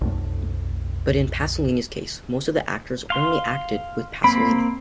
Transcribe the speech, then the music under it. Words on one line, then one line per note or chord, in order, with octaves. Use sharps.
But in Pasolini's case, most of the actors "only acted with Pasolini".
B1 F2 A3
F5 C6
A#3 C4 B5